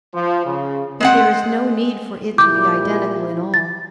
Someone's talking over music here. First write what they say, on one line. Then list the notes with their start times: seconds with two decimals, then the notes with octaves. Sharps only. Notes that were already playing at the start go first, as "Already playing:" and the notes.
But there is no need for it to be identical in all.
0.14 F3
0.45 C#3
1.00 G#3 C4 F#5
2.38 A#2 G3 E4 D6 G6
3.54 A6